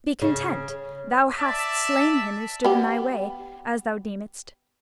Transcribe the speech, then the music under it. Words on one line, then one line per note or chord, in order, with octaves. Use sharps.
Be content! thou hast slain him who stood in thy way, as thou deemedst.
C#3
D5 E5 A5
B3 G4